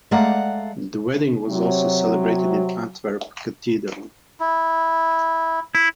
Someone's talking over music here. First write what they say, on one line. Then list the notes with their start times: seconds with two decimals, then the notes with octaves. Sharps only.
The wedding was also celebrated in Antwerp Cathedral.
0.11 G#3 A3 D5 F5 F#5 A#5
1.48 C3 F#3
4.40 E4
5.75 E4